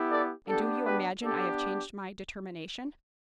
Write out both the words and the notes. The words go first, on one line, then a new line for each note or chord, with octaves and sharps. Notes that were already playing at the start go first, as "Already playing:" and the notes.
And do you imagine I have changed my determination?
Already playing: B3 E4 G4
A4 D5
B3 D4 G4 A4
G4 B4
B3 D4 G4 A4 D5